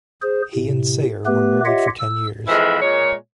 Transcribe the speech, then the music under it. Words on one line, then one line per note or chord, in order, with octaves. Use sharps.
He and Sayer were married for ten years.
G#4 C5
A2 C3
A3 B3 G4 B4
F4 G4 C#5 D#5 E5 F#5
E6
F2 E3 F3 G#3 E4 E5
A#2 G#3 C#5